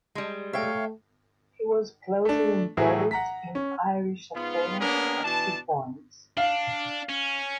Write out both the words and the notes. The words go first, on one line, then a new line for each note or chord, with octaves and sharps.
He was closely involved in Irish affairs at two points.
G3 G#3
A3 C#5 E5 F5 G5
A3 D4
A2 E3 F#3 A3 E4 G#4
F#5 A#5 B6
C#4
G#2 B3 F4
A#3 B3 C#4 D4 G#4 A#4
B2 E3 D4 A5
D4 F5
C#4